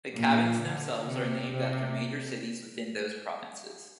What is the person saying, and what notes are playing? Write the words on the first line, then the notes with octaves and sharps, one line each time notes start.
The cabins themselves are named after major cities within those provinces.
A#2
D3
C3
C3